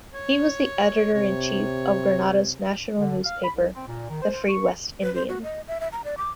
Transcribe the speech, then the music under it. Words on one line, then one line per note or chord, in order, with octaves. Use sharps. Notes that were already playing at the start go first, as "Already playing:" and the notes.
He was the Editor in Chief of Grenada's national newspaper "The Free West Indian".
C#5
C3 C#5
D3
F5
B5
C2
C4
A#2
D#3
C5
C#6
B4
C5
F#4
D#5
E5
E5
A#5
D5
D6